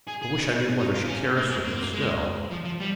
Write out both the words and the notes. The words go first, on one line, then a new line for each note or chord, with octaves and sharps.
I wish I knew whether she cares for him still.
G#4
G#4
D#4
F4
C#4
A#3
G#3
A#3
C4
A#3
G#3
F3
F3
G3